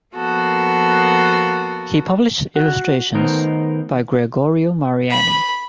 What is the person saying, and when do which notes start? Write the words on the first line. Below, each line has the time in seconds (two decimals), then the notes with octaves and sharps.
He published illustrations by Gregorio Mariani.
0.15 F3 A#3 B3 F#4 A4
2.56 F#4
3.14 D#3 A3 B3 D#4 A#4 C5
5.10 B5